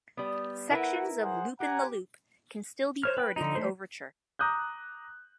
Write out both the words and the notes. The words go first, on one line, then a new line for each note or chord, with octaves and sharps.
Sections of "Loopin' the Loop" can still be heard in the Overture.
G3 B3
E4 A#4 B4 F#5
G#4 C5 F#5
G4 F#5 G#5 A#5
C5 C#5 F6
B4 G5
D3 D#4
F3 A3 C5
A#5 D6 D#6 F#6 G6